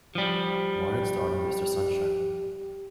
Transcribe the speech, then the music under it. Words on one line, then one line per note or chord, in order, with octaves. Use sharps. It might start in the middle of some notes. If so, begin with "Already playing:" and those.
Martin starred on "Mr. Sunshine".
F3 G3 G4